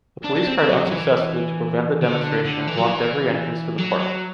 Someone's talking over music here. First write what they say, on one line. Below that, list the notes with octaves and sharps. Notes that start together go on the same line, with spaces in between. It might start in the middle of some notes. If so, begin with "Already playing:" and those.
The police tried unsuccessfully to prevent the demonstration and blocked every entrance to the park.
D4
D4
C4
C4
F#3
F#3
E3
D3
D3
D3
E3
F#3
E3
F#3
F#3